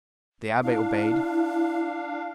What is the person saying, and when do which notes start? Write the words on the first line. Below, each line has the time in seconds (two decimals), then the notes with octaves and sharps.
The abbe obeyed.
0.63 D4 E4 F5